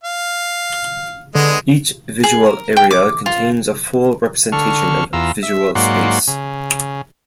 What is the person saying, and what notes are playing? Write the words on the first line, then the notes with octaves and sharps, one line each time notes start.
Each visual area contains a full representation of visual space.
F5
D3 G#3 B3 D#5
G#4
A#4
G5
D6
F4
D3 A4 C#6 F6
E2 F4 A#5 E6
E5
G#2 F#3 A#3 D5 F#5 C6
C#3